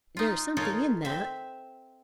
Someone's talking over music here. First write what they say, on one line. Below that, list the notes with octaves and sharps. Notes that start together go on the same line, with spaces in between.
There is something in that.
D#4 F4
D#4 F4 A4 A#4 C#5
C4 E5